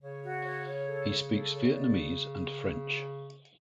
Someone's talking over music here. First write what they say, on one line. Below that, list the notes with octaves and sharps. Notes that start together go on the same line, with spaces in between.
He speaks Vietnamese and French.
C#3 C#5
F#4
C#5
C#5
A4
C#5
A4
C#5
D5